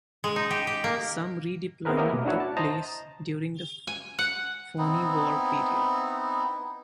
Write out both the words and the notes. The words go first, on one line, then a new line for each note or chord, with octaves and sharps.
Some redeployment took place during the Phoney War period.
G#3
D#4
G4
G4
A#3
B3 C4 E4 G#4 A#4 B4
A#3 E4 G4 A#4 C#5 D#5
B2 A3
D4 E4 F#4 C#5
A5
C5 D#5 A5 A#5
G#5
F#5
B3 C4 D#4 E4